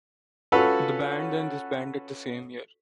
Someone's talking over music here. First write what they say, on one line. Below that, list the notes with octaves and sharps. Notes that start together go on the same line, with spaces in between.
The band then disbanded the same year.
C#4 F4 F#4 A4 B4 C#5